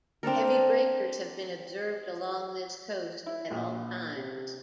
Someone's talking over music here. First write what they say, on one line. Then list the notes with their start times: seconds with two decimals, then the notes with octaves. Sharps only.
Heavy breakers have been observed along this coast at all times.
0.23 C4 D4 A4 A#4
3.26 E4
3.51 A#1
4.15 C3